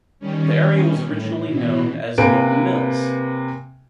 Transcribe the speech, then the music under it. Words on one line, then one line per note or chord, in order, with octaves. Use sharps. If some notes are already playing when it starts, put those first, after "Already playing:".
The area was originally known as Norton Mills.
D#3 G3 C#4
A2
B2 E3
C3 A#3 B4 G#5 D7